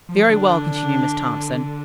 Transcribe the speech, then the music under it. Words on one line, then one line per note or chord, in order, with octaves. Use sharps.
"Very well," continued Miss Thompson.
F3
D3 D4